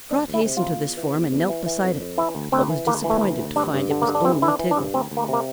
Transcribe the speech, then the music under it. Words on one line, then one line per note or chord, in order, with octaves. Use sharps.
Trot hastened to this form and knelt beside it, but was disappointed to find it was only Tiggle.
D2 D4
D2
E4
C3
F4
D2
E2
E3
E2
E2
E3
E3
F2
F2
E3 E4
D2
D2 C4
E3
D2 A#3
E3
A3
D2
D2
G2 D4
G2
D3
A#3
G2
D4
E3 C4
E3 E4
D4
E3
D4
G2
D2 C4
D2
A#3
C3 A#3